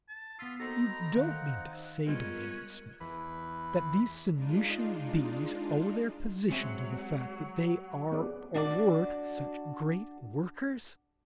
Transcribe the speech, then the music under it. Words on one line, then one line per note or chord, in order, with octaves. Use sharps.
"You don't mean to say," demanded Smith, "that these Sanusian bees owe their position to the fact that they are, or were, such great workers?"
A5
B3 F4 E6 B6 C7
A#3 C4 D#4 F#4 A4 A#5 B5
D#3 C5 F5 F#5
G3 G#3 B3 C#4 F4 A#4 D#5 F#6
E2 B4
G#3 D4 D#4 F4
F#3 G#3 C4 E5
B3 G#4 D5
D4 F#4 D5 D6